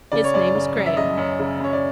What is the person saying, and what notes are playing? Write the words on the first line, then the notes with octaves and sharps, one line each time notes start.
His name's Graham.
C#3 D5
C#5
F#2 D5
C#3
F#3
E5
C#3 D#5
F#2
C#3
F#2 C#5
D5